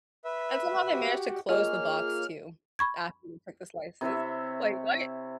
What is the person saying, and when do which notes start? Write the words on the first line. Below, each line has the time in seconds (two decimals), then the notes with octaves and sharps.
and somehow they managed to close the box too after they took the slices, like, "What?"
0.25 B4 E5
0.93 F#4 G4
1.49 A#3 F4 G#4 C#5 D#5 F6
2.79 B5 C#6 G#6
4.01 C3 E4 C#5 E5